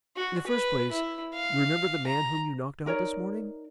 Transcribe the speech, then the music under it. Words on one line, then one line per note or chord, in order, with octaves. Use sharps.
In the first place, you remember the man whom you knocked out this morning?
F#4
B4
E4
F5
A#5
D#4 A#4 C#5 D5